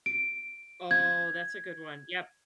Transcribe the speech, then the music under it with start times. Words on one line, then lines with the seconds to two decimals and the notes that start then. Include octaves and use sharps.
Oh, that's a good one. Yep.
0.06 D7
0.91 G#6